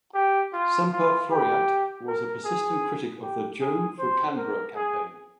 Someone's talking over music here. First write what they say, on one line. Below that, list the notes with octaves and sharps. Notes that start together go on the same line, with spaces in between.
"Semper Floreat" was a persistent critic of the "Joh for Canberra" campaign.
G4
F4
F4
G4
A#4
G#4
G4
G#4
C5
A#4
G#4